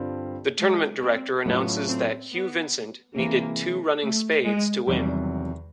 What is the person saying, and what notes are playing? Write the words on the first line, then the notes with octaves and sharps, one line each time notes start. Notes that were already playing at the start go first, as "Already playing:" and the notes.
The tournament director announces that Hugh Vincent needed two running spades to win.
Already playing: G2 D3 G3 C4 F4
G#3
C4
A2 F#3 A3 B3 C#4 F4
C4
B3
C3 E3 G#3 A#3
A3
G#3
E2 C3 D#3 F#3 G3